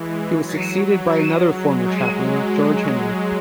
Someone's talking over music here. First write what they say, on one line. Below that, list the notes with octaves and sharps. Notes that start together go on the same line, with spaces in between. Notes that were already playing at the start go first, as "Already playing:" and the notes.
He was succeeded by another former Chaplain, George Henry.
Already playing: E3 G#3
F#3
G#3